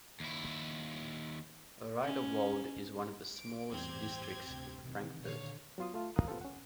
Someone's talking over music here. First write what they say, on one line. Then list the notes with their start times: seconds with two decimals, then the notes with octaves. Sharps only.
Riederwald is one of the smallest districts in Frankfurt.
0.20 D#2 E4
2.03 C#4
3.36 D7
3.70 A1 E2 G2 C4 G4 G#6
4.45 D2 C3
4.83 C3 D#3 E3
5.23 A#2 D3 D#3 C#5 F5
5.78 F#3 B3 F4 C6 D#6
5.94 A3 F4 A4
6.16 D#3 A#4 F5 A#5 D#6 F#6
6.27 B3 F4 G4 A4 C5
6.41 C#4 F#5